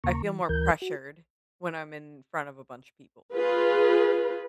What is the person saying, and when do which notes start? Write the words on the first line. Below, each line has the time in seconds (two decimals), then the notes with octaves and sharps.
I feel more pressured when I'm in front of a bunch of people.
0.04 D#2 C#3 A#3 A#5 C#6
0.22 E3
0.49 D2 E3 A#4 G6
0.82 F#4
3.34 F4 G#4 B4